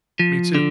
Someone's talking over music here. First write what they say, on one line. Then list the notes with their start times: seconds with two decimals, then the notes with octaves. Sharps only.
Me too
0.19 F3
0.55 D3